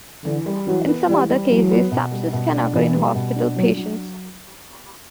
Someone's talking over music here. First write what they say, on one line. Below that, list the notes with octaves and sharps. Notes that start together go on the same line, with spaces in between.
In some other cases, sepsis can occur in hospital patients.
D3 E3
G3
E3 F#3
B3
E3 G3
G3
E3 F#3
B3
B2
G3
B2
D4
B2 E3
G3
B2
D4
F#3 D4
F#3